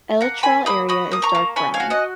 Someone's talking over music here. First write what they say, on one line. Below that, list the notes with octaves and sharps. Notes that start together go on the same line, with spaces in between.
Elytral area is dark brown.
A#3 F#5 A#5
A#3 G#5 B5
A#3 B5 D#6
F#4 B5 D#6
A#3 D#6
A#5 C#6
A#3
C#4 G#5 B5
F5 G#5
F#4
D#5 F#5